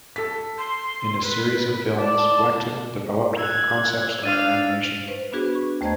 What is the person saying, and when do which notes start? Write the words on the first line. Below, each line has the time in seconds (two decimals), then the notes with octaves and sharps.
In a series of films, Blackton developed the concepts of animation.
0.16 A4 B6
0.58 C6
1.22 B4
1.98 D5 A5
3.39 E6 F#6 G#6
4.24 D4 F5 A6 D#7
5.07 B4 C5
5.32 B3 D4 F#4 G#4 B4
5.55 C#6
5.81 D#2 A3 C5 D#5 A#5 G#6